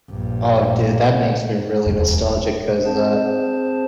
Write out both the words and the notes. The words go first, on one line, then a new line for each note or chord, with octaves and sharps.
Oh, dude, that makes me really nostalgic 'cause, uh,
A#1 G2
D#1 F2
C4 G#4 C5 A5